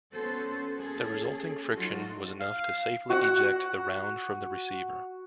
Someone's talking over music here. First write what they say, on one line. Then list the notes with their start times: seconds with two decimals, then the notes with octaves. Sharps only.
The resulting friction was enough to safely eject the round from the receiver.
0.11 B3 C#4 F#4 A4 C5
0.76 A#3 C#4 G#4 A4
1.72 F#3 D#4 F4 F#4 A4
2.40 F5
3.10 F#4 F#5